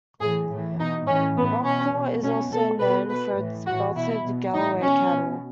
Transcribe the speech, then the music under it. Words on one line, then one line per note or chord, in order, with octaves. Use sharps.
Rockport is also known for its Belted Galloway cattle.
A2 E3 G#4
A2 E3
B2 D#4
A2 E3 C#4
A2 E3 B3
B2 C#4
B2
B2 C#4
B2 A4
B2 B4
B2 B4
A2 E3
A2 E3 F#4
B2 E4
B2
A2 E3 D#4
B2 C#4
B2